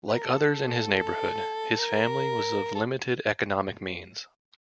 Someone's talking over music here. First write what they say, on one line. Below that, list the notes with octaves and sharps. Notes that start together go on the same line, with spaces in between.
Like others in his neighborhood, his family was of limited economic means.
B4
A#4
A4
A#4
A4